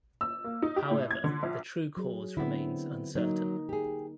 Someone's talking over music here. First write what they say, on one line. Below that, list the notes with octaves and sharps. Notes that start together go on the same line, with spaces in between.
However the true cause remains uncertain.
E6
A#3
D#4
G4
A2
G#6
D3
A#1
F#3 G#4
D3 B3 C4 E4
F#3 A#3 D#4
G4 G#4